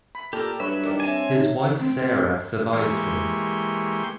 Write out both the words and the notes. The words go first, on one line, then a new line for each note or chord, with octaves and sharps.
His wife Sarah survived him.
B5
A#2 G4 A4 A#4 D5
G2 F#3 B4 C#5 E5
D#3 A#4 D5
C4 C#5 E5 G#5 A5
D#3
C4
E3 G#3 A#3 G4 C6 C#6